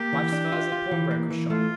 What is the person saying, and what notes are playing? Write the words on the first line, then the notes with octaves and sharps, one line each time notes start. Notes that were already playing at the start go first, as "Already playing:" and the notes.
Wife's furs at pawnbroker's shop.
Already playing: A#3 G4
E3
D4
F4
F4
E3
A#3
E3
A3 F4